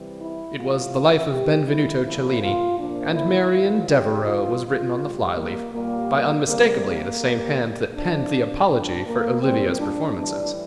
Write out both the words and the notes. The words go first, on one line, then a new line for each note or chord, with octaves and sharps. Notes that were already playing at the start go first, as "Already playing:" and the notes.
It was The Life of Benvenuto Cellini and “Marian Devereux” was written on the fly leaf, by unmistakably the same hand that penned the apology for Olivia’s performances.
Already playing: C3 E3 G3
E4
A2 E3 G3 F4
C3 E3 G3 G4
E4
A#2 F3 E4
F4
A#2 F3 D4
E4
A2 E3 G3 F4
G4
C3 E3 G3 F4
A2 G3
A#3
A#2 G3 A#3
C3 G3 A#3
A#3
A#2 G3
C3 F3 D4
A#2 F3 D4
A#3
A#2 G3 C4
D4
A2 E3 G3 D4